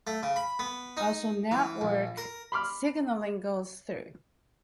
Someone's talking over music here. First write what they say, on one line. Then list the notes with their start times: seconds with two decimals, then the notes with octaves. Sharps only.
Also network signaling goes through.
0.07 A3
0.23 C#3
0.36 B5
0.59 B3
0.97 D#4
1.51 E3
1.81 A#1
2.17 A#4
2.52 B5 C6 D6 F6